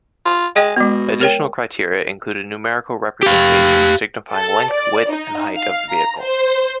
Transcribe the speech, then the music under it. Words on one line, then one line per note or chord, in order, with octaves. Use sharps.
Additional criteria include a numerical representation signifying length, width and height of the vehicle.
F4
G#3 D#5 G5 G#5
B2 G#3 B3
A#4 C#5 G5
G4 F5
A4
D5
D#4
F5
A#5
C5